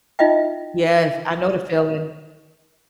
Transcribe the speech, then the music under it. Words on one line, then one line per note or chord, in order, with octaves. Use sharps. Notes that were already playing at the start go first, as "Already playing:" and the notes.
Yes. I know the feeling.
D#4 F4 D#5 E5 G5